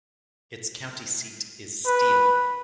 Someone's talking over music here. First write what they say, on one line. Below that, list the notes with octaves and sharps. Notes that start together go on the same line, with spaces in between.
Its county seat is Steele.
B4